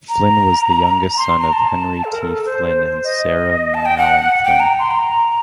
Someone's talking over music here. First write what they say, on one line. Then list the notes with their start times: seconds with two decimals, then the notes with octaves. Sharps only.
Flynn was the youngest son of Henry T. Flynn and Sarah Mallon Flynn.
0.09 A#5
1.18 C6
1.41 A#5
1.53 A5
1.60 A#5
1.68 A5
2.04 A4
2.11 A#4
2.22 A4
2.34 A4
2.46 C5
3.04 D#5
3.74 A5
3.86 G5
3.98 F#5
4.44 G5
4.60 A#5
4.79 C6
4.91 A#5